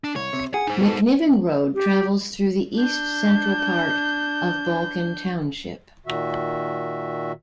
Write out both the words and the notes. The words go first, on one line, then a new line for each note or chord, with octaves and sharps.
McNiven Road travels through the east-central part of Balkan Township.
D4
C2 C#5
C3
G#4 F#5
D#4 C5
B2 B3 A4
G4
D4 G6
A#2 D#3 F#4 E5